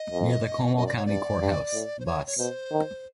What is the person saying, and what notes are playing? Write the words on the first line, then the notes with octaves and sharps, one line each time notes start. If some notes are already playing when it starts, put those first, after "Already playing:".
Near the Comal County Courthouse, Bus.
Already playing: D#5
F2
F#2 D#5
D5
C#5
G2 D5
G2
A2
C5
C#5
C#5
B2 C5
D#3